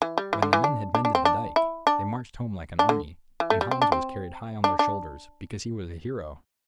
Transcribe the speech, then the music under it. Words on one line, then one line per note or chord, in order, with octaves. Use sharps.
When the men had mended the dike, they marched home like an army, and Hans was carried high on their shoulders, because he was a hero.
E3
G3
E3
D3
E3
D4
D4
D4
C4
D4
E4
D4
D4
D3
E3
A3
G3
C4
D4
C4
D4
D4